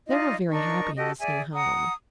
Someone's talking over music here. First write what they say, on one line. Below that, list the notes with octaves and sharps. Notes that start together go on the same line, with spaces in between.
They were very happy in this new home.
D#4 F4 D5 D#5
D4 D#4 A#4 C#6
F#4 G4 A4 D#5
G#4 D5 E5 G#5
F#5 A#5 D#6